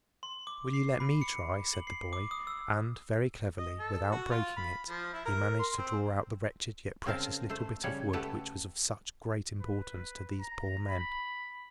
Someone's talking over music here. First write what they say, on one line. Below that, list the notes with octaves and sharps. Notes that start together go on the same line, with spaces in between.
"Will you let me try?" said the boy, and very cleverly, without breaking it, he managed to draw out the wretched yet precious little bit of wood which was of such great importance to these poor men.
C6
D6
C7
B5
C#7
F#7
C7
D6
D#6
E6
D#5
A4
F#4
F4
B5
F3
E4
A#4
C6
C4
C#3 C4 A#4 F5 A5
A3 C5
C#3 G3 C#5
A3 G4 B4 F#5 G5 A5
B4
A#5
B5